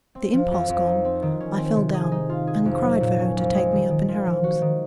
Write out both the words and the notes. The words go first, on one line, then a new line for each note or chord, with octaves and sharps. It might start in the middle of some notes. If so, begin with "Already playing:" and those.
The impulse gone, I fell down and cried for her to take me up in her arms.
C4
F3
F2
F2
D#4
C4
D#3
C#4
C4
C3
G#4
D#4
F4
G#4
F2
F#3
A#2
C#4
F2
G#3
D#3
D#3
F3
F3
F#4
D#3